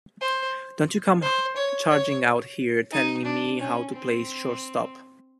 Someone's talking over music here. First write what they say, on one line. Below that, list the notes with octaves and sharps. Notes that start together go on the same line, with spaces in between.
Don't you come charging out here telling me how to play shortstop.
C5
C5
C#5
C#5
D#4
D4
C#4
C4